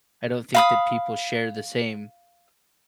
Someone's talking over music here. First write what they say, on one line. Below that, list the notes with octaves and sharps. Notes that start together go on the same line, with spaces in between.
I don't think that people share the same
F5 B5 D#6